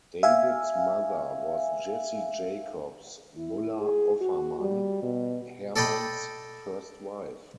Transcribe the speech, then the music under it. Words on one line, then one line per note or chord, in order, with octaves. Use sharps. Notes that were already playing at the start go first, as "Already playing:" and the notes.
David's mother was Jessie Jacobs Muller Offermann, Hermann's first wife.
E5 F5 G#5
E4
G#4
F#4
G3
B2
A4 D5 D#5 G5 B5